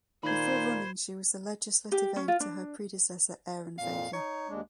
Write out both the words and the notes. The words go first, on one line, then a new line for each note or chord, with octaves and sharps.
Before running she was the legislative aid to her predecessor Aaron Vega.
A#2 D#3 C5 B5 G#6
G4
C#4
F4
D4
F2 A#2 F5
D#4 C#5
D#2 G#3 D4